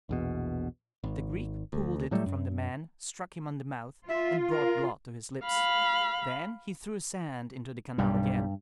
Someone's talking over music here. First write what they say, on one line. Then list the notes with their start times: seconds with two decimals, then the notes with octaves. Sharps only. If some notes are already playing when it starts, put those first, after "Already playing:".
The Greek pulled it from the man, struck him on the mouth, and brought blood to his lips; then he threw sand into the canal again.
0.09 A#1 E2 B2
1.04 G#1
1.73 D2
2.11 A2 F#3 G3 A3
2.26 F#2
4.09 F4 E5
4.51 A#4
5.45 F5 B5
7.98 B1 G2 G3